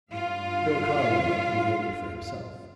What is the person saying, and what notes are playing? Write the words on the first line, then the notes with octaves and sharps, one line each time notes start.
Bill Conway we hated for himself.
G2 F4 F5